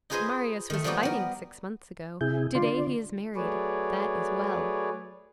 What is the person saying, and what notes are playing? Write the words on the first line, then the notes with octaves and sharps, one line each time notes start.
Marius was fighting six months ago; to-day he is married. That is well.
D#4 F4 G#4 B4 C5 D#5
D#3 A3
F3 G3 A#3 B3 F#4 G4
B3 A#4
C3 E4 G#4 G6
D3 F4 D5 C6
F#3 A3 G#4 B4 C#5 D5